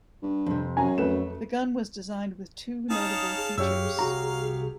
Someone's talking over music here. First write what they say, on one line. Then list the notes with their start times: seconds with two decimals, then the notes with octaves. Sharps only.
The gun was designed with two notable features.
0.22 G2
0.46 F2 C3
0.77 F#2 G#5 A#5
0.98 F2 A3 B4 E7
2.90 C#4 D#4 F5 A5 D#6
3.36 G#4
3.58 F#2 G4 C#5 F5 E6
3.99 C2 F#4 A#5